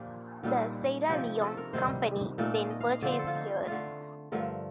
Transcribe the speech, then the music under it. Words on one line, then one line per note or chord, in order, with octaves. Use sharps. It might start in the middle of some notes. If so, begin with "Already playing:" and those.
The Sierra Leone Company then purchased her.
Already playing: A#2 F3 A#3 D4 G4
A#2 G3 C4 D#4 A4
C3 F3 C4 D#4 G4
A4
A#4
C3 D#3 G3 C4 C5
A#2 A3 D#4 D5
D5
D#5
F5
D#5
D3 F3 C4 D5
C5
A4
F4
D#4
D3 A3 D4 F4
G2 D3 F3 A3 A#4